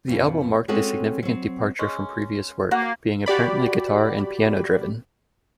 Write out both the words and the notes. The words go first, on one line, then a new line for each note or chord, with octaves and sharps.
The album marked a significant departure from previous work, being apparently guitar-and piano-driven.
F2 B2
G#3 C4 C#4 F#4 A4 D#5
F#3 C4
G#3 C#4
A#3 F#4 F5 F#5
F#4 G4 D5 B5